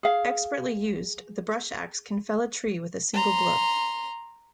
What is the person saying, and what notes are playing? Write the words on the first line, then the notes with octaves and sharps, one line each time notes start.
Expertly used, the brush-axe can fell a tree with a single blow.
G#4 F5
A#5 C6